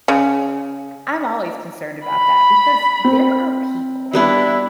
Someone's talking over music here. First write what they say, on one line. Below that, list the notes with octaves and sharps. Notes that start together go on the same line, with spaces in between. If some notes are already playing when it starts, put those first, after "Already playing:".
I'm always concerned about that because there are people,
C#3
B5
C4
G3 B3 D4 E4